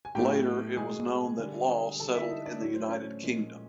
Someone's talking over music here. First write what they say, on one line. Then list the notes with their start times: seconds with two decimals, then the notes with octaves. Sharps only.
Later it was known that Law settled in the United Kingdom.
0.05 G#5
0.15 A2 F#3 A3 G4 G5
0.77 B2 G#3 G#4 G#5
1.39 D3 G3
2.00 D3 G3 A4 A5
2.15 E4 E5
2.30 D#4 D#5
2.46 D4 D5
2.61 A2 F#3 A3 C#5
2.75 C5
2.88 C#4 C#5
3.23 A#2 F3 G#3